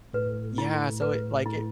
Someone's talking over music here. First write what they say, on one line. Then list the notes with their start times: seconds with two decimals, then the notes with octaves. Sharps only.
Yeah, so, it like, it
0.14 A2 B4
0.58 E4
1.02 B4
1.46 E4